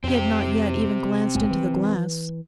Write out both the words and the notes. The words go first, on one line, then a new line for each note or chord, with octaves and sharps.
He had not yet even glanced into the glass.
F2 C4 G4
B1 A2 G#3
E3